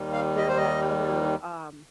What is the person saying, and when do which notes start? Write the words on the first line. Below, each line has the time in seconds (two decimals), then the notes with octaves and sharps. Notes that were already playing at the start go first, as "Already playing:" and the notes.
there's that other, um
Already playing: D#2 D#3 G3
0.13 F5
0.38 D#5
0.48 C5
0.57 D#5